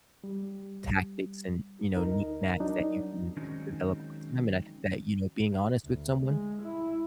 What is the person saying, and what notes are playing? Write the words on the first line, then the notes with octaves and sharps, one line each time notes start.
tactics and, you know, knick-knacks that you can develop over time, and I think that, you know, being honest with someone,
G3
D2 D#4 A#4
F#3 D4 D#4
D#3 F#3 G#3 C4 C#4 D#4
D2
G#3
E4